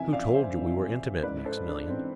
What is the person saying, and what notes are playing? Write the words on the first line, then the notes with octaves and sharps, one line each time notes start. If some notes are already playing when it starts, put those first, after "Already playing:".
"Who told you we were intimate, Maximilian?"
Already playing: F1 F2 E3 E5 G#5
D5 F5
C5 E5
F1 F2 E3
A1 G#2 E3 B4 D5
A4 C5
D4
A1 E3 C4